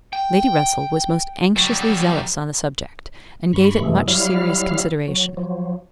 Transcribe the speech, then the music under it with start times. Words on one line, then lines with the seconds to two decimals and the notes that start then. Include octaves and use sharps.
Lady Russell was most anxiously zealous on the subject, and gave it much serious consideration.
0.13 G5
1.56 F#3 G3
3.53 G2 B5 C#6
3.81 F#2 C3 E3 G#3 A3
4.08 F#3 G3 E4 F5 F6
5.08 F#3
5.37 F3 F#3